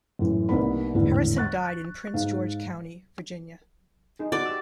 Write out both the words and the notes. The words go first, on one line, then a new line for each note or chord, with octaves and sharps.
Harrison died in Prince George County, Virginia.
F#2 A2 E3
C2 A#3 B3 D#4 A#4 B5
G#1 E2 A2 D3 E3
C#6 F#6 A6
G#2 D#4 F5
D#4 G#4
F#4 D5
G4 E6